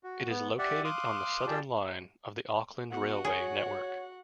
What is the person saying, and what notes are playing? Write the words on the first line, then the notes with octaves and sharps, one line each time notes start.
It is located on the Southern Line of the Auckland railway network.
F#4
B3
G4 D5 E5 F#5
F5 C6 D6 D#6 F#6
F4 G4 G#4 D5 G5 A5
B3 F#4 F#5
G#4 C#5